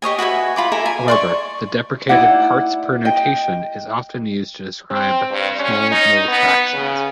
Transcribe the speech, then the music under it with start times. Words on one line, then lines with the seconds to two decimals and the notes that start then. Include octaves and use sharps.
However, the deprecated parts-per notation is often used to describe small mole fractions.
0.02 G4 C#5 D#5 G#5
0.19 F#4 B4 E5 G#5
0.56 F4 B5 D6
0.72 E4 A4 A#4 G#5
0.86 G#5
1.08 D5 C6 C#6
2.09 D#4 E4 D5 F#5
3.05 D#5 G5
4.90 C4
5.31 G2
5.59 C#4
5.91 D#4
6.28 B3
6.73 C#3